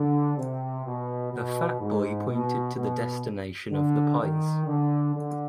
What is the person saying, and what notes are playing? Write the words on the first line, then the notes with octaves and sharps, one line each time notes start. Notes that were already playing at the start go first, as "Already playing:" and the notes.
The fat boy pointed to the destination of the pies.
Already playing: D3
C3
B2
B2
G#2
B2
B2
D3
D#3
D3
D3